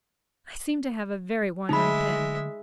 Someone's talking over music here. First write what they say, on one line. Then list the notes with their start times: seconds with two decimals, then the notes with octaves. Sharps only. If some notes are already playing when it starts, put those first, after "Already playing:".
I seem to have a very wandering pen.
1.69 D3 F#3 G#3 A3 D#4 E5 B5